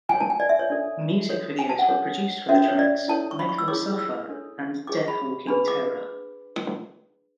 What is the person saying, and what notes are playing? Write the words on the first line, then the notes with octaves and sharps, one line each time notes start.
Music videos were produced for the tracks "Make Them Suffer" and "Death Walking Terror".
F#4 C#5 G#5
A5
G#5
D5
E5
C#5
D4 A4 C#5 D5
F#4 A4 C#5
G#5
A5
F#5
D4 A4 C#5
C#4 F#4 A4 C#5 E5
C#5
D5
E4 A4 C#5 A5
C#6
B5
C#6
E6
E4 G#4 C#5 D6
E6
D4 A4 C#5
D4 G#4 C#5 D6
C#6
B5
D4 G#4 B4 B5
D6